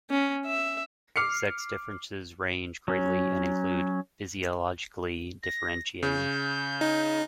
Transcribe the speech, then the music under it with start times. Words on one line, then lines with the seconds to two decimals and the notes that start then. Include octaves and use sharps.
Sex differences range greatly and include physiologically differentiating.
0.10 C#4
0.45 E5
1.16 D6 F6 C7 C#7
2.88 F#3 C#4
5.43 A#6
6.03 C#3 G6
6.81 D#4